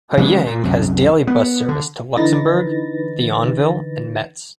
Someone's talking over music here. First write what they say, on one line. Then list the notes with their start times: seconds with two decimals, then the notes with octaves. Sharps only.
Hayange has daily bus service to Luxembourg, Thionville and Metz.
0.17 C#3 E3 F#3 G#3
0.47 A#2
0.64 C2 F#2
1.27 B3
1.68 D3
2.17 D3 E3 D#4 B4 A6 A#6